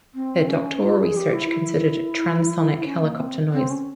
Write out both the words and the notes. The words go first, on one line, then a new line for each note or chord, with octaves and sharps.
Her doctoral research considered transonic helicopter noise.
C4
C#4
F4
G#4
G4
E4
E4
C#4
A#3
C4
C4
C#4